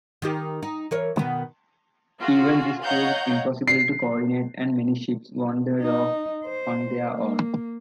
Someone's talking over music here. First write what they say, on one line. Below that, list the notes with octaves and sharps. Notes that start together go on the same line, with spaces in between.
Even this proved impossible to coordinate, and many ships wandered off on their own.
D#3 D#4 G4
D#4
E3 A#4 C#5
B2 D#3 B3
F4 F#4 G#4
C#5 D#5 F5 F#5 A#5 G6
C7
D#4
C5
A#3